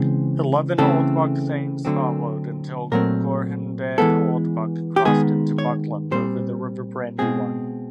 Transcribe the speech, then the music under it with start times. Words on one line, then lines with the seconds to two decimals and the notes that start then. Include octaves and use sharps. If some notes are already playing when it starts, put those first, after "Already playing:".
Eleven Oldbuck Thains followed, until "Gorhendad Oldbuck" crossed into Buckland over the river Brandywine.
Already playing: C#3 E3 G#3 C4
0.78 C#3 E3 A3 C4 A4
1.85 D3 F#3 A3 C4
2.92 A#2 F#3 A3 C4 A#4
3.98 E3 G#3 B3 A4
4.96 G4
5.05 D#3 G#3 B3 G#4
5.58 C#5
6.11 A#2 G3 C4 C5
7.18 B2 G#3 C4 G#4